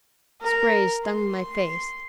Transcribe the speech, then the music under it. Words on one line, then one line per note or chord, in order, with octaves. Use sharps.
Spray stung my face.
A#4
C6